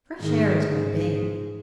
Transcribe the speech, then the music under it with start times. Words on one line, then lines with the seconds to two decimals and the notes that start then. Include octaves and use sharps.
Fresh air is my bane.
0.20 G#2 D#3
0.69 G#2